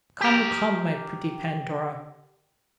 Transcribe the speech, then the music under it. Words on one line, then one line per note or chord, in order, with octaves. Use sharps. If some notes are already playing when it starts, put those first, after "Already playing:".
Come, come, my pretty Pandora!
G4 A#4